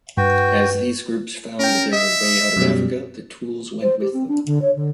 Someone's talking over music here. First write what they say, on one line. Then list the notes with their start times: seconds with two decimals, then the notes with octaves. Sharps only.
As these groups found their way out of Africa, the tools went with them.
0.17 G2 F#4 B4 G5
1.59 C#4 A#4 G5
1.93 D#5 E5
2.57 F#2 B2 G3
3.82 C5
4.01 G4
4.14 C4
4.28 D4
4.46 D3
4.62 C#5
4.76 D3